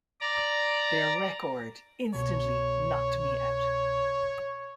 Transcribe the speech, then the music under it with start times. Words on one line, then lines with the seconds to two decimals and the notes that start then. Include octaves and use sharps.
Their record instantly knocked me out.
0.21 D5 A#5
2.14 C2 B2 C#5